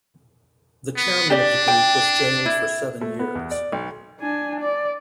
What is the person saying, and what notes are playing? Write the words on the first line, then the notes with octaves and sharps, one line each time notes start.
The chairman of the group was jailed for seven years.
B3
D4 G4 D5
G5
E4
A3
B3
E2
D5
B1
D4 G#5
D5